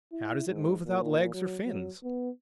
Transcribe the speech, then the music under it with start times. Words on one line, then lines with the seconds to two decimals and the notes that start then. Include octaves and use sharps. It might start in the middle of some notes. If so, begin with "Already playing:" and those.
How does it move without legs or fins?
0.12 E4
0.48 G#2
0.85 A#2
1.34 F#3
1.65 F#3
2.03 B3